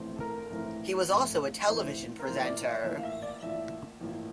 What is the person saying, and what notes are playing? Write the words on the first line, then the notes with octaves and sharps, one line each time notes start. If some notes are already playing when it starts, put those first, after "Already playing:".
He was also a television presenter.
Already playing: A#1 A2 E3 A3 C4
A4
A#4
A#1 A2 E3 A3 C4
A#1 A2 E3 A3 C4
A#1 A2 E3 A3 C4 C5
A#4
A1 A2 F3 A#3 C5
E5
D5
E5
A1 A2 F3 A#3 E5
F5
E5
D5
A1 A2 F3 A#3 E5
A1 A2 F3 A#3